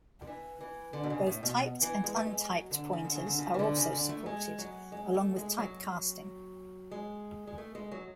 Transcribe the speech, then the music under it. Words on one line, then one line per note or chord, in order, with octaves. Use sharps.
Both typed and untyped pointers are also supported, along with typecasting.
D3
E3
E3
D3
B2
C#3
A2
B2
E3
G#3
A3
G#3
F#3
D3
C#3
D3
C#3
D3
C#3
E3
D3
C#3
D3
A3
G#3
F#3
G#3
A3
G#3
F#3
G#3
G#3
A3
G#3
F#3